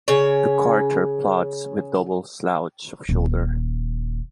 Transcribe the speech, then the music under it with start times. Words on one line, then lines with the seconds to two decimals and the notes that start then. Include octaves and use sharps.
The carter plods with double slouch of shoulder.
0.08 C#3 C#5
3.09 D#1